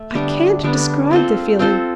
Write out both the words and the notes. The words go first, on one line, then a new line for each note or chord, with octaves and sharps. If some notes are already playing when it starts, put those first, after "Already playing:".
I can't describe the feeling.
Already playing: A3
D3 G3 B3 D4
D3 G3 B3 D4
C4 F4 A4 C5
C4 F4 A4 C5